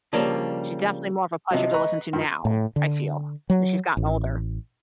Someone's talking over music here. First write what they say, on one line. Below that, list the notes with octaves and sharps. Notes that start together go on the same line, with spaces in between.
She's definitely more of a pleasure to listen to now, I feel, as she's gotten older.
C#3 F3 G3 A#3 D4
C3 F3 F#3 D#5
B4 A#5 C#6
G2 F3
A2
D3
F#3
A1